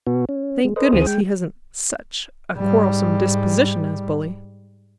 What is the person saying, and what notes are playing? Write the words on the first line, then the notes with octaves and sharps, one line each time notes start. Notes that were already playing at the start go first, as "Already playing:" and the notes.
Thank goodness he hasn't such a quarrelsome disposition as Bully.
B2 B3 F#4
C#4
G#3
A4 B4 C5 D#5
D2 E3 C4 G#4 C5 D#6
G#3 G5
G#2 G3